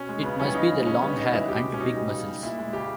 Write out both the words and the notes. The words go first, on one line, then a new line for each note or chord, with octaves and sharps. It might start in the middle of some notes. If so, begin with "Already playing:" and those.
It must be the long hair and big muscles.
Already playing: B2 C#4
G#3
C#3 B3
E3 G3 C#4
C#3 D#4
E3 G#3
C#3 C#4
G3 B3
C#3 D#4
E3 G3 E4
B2 G4
G#3
C#4
B2 D#4
G3
C#3
G3
A#2 E4
G#3
C#3 G4